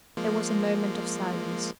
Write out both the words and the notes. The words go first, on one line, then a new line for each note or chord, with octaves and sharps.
There was a moment of silence.
F3 G#3 A#3